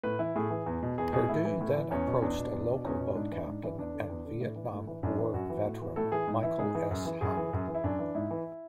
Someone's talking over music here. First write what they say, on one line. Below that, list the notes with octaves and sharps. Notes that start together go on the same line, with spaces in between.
Perdue then approached a local boat captain and Vietnam War veteran, Michael S. Howell.
A2 B4
E3 E4
A2 G#4
E3
E2
B2
E2 G#4
B2 G#4
A2 E4
E3
A2
E3
E2 C#4
B2
E2 D4
B2
E2
B2
E2 C#4
B2
G#2 D4
E3
G#2
E3
E2 D4
D3
E2
D3
A2
E3
A2
E3
F#2 D4
E3
F#2 F#4
E3
A2
E3
A2 A4
E3 G#4
G#2
E3 E4
G#2 G#4
E3
F#2
E3
F#2 G#4
E3
F#2
E3
E4
F#2 D4
E3
G#2 E4
E3